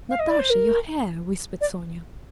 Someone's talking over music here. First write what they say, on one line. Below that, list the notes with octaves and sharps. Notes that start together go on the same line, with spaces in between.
"Natasha, your hair!..." whispered Sonya.
F5
D#5
D5
C5
A#4
D5